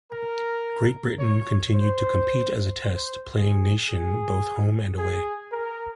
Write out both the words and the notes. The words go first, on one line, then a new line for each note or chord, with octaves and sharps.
Great Britain continued to compete as a test playing nation both home and away.
A#4
C#5
C5
C5
G#4
G#4
G#4
A#4